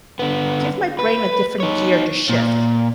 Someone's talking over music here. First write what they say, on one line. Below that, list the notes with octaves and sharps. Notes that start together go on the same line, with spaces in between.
give my brain a different gear to shift.
D3 B3
B4
D#4 C#5
A#2